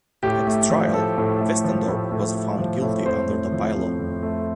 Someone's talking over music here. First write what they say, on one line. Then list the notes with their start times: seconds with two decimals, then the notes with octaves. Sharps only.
At trial, Westendorp was found guilty under the by-law.
0.23 A2 G4
0.47 A3
0.70 F3
0.93 A2 A4
1.18 A2
1.41 A3
1.64 F3
1.88 A2
2.11 A2
2.35 A3
2.58 F3
2.82 A2
3.05 F2 C5
3.28 A3
3.52 F3
3.77 F2
3.99 F2
4.23 A3